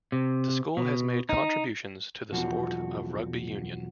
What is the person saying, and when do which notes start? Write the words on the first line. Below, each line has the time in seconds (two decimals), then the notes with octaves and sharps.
The school has made contributions to the sport of rugby union.
0.12 C3
0.77 B2
1.29 D#4
2.31 B1 E2 F3 F#4